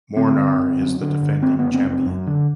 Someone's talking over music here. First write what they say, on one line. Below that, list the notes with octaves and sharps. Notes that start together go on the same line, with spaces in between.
Mornar is the defending champion.
D3 C4
G1
G1
F#2
D3
G1
D3 C4
F#1 B3
C4
F#1
C4
F#2
D3